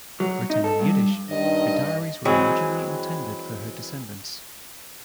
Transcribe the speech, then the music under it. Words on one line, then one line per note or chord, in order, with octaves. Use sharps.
Written in Yiddish, her diaries were originally intended for her descendants.
F#3
D#4
A4
G2
G2 D#3 D#5
E3 F#3 G#3 C4